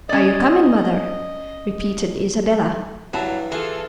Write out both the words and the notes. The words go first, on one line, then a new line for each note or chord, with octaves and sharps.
"Are you comin', mother?" repeated Isabella.
C#4 D5 D#5
G2 E3 F#3 E4 A5
E3 F4 G#4 A4